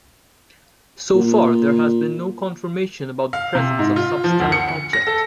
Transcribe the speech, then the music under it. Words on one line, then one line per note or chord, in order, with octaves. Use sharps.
So far there has been no confirmation about the presence a substellar object.
A#2
F5
C3
G#2
F4
F3
D2
C#7
C#7
A#6
A4